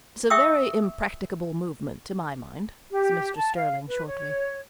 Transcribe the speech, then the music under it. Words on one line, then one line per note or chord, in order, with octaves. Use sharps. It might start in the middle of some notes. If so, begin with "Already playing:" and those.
"It's a very impracticable movement, to my mind," said Mr. Sterling shortly.
E5 G5 C#6 D#6 E6
G4
A5
F5
B4
C#5